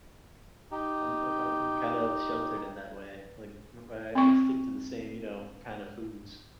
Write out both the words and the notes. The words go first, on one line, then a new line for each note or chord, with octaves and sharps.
I'm uh I'm I'm kind of sheltered in that way. like, I I I stick to the same, you know, kind of foods.
D#4 G4
C4 C#6